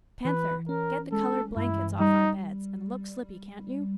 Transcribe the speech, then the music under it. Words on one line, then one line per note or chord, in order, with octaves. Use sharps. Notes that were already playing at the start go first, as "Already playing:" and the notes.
Panther, get the coloured blankets off our beds, and look slippy, can't you?'
E3 B4
C#4 A#4
G#3 A4
G2 E4
G3 D#4